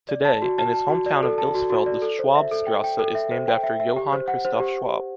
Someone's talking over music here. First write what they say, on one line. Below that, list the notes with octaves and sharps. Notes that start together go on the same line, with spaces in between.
Today, in his hometown of Ilsfeld the “Schwabstraße” is named after Johann Christoph Schwab.
D5
A5
F#4
A5
A5
F#4
D5
A4
A5
F#4
F#4
D5
A4
C5
E5
A4
G5
G5
A4
E5
C5
G5
E5
E5
G4
C5
F#5
C5
G4